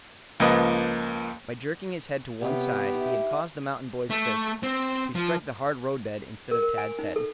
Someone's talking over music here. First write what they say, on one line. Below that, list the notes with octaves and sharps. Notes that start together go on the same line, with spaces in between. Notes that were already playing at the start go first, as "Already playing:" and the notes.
By jerking his head to one side he had caused the mountain boy's fist to strike the hard roadbed instead of Tad's head.
C#2 F3 A#3 B4 D#5
C3 B3 C#4 F4 G4
D#4 E4
A3
C4
F3
A#4
A#4
G#5
D#4
A4